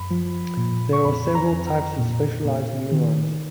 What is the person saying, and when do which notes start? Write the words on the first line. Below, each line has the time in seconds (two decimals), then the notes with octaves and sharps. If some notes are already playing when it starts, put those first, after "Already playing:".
There are several types of specialized neurons.
Already playing: F#2 B5
0.10 F3
0.57 A#2
0.93 C#6
1.04 F2 B5
1.35 A#5
1.51 F2
1.67 A#5
1.98 A#2
2.45 A#2
2.91 D#3